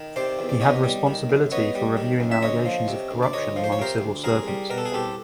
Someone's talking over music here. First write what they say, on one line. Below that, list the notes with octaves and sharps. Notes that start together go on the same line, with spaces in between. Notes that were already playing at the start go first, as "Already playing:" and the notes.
He had responsibility for reviewing allegations of corruption among civil servants.
Already playing: D#3
C3 C5 D5
E2
D5
B3 C#5 D#5
G3
D#3
F#2
B3 C#5 D#5
G3
D#3
F#2
E5
D2 C#5 D#5
F3
C3
D2
D5
D2 C#5 D#5
F3
C5
C#5
C3 A#4 C5
D2
C2 G#4 A#4
G3
B2 A#4
A4
G#4
C2 G4 A4